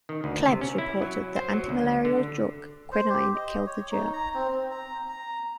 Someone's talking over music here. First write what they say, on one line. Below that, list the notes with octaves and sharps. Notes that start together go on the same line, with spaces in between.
Klebs reported that antimalarial drug quinine killed the germ.
D#3
D2
C3
C#4
E4
F#3
C5
F#3
D2
D3
C5
G4
D#5
C#5
D#4
A#5
C4
C4
A#5
A#5